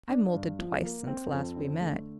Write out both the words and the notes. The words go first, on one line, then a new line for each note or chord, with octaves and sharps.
I've moulted twice since last we met.
D4
G2
F3
A#3
C4
F2
D3
A3